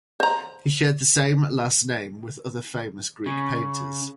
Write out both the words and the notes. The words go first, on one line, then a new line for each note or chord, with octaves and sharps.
He shared the same last name with other famous Greek painters.
C5 A#5
C#3